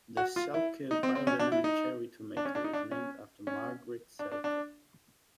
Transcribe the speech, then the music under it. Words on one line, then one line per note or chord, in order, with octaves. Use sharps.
The Selke Biodynamic cherry tomato is named after Margrit Selke.
F#4
F4
E4
D#4
C4
C4
C#4
D4
E4
D#4
D4
C#4
D4
D#4
D4
C#4
C#4
D4
D4
D4